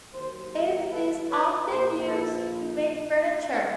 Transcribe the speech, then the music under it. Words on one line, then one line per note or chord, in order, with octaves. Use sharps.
It is often used to make furniture.
D#2 D#3 F#3 A#4 C5
G#4 A#4
A4 B4
B4 C#5
A#1 A#2 F3 A#4 C5
A4 B4